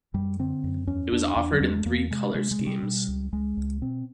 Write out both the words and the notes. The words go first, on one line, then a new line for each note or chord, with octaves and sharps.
It was offered in three colour schemes.
F#2 G3
D3 C4
F#2
E2 C#4
E2 D4
E2 D4
F#3
E2 G3
G#3
A3
E2 A#3
C3 G#3
C3 G#3
G#3
C3
G3
B2
C#2
C#2 G#3
C#2
B2 C4